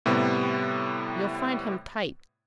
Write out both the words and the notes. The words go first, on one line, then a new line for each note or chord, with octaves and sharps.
You'll find him tight.
A2 C3 G3 B3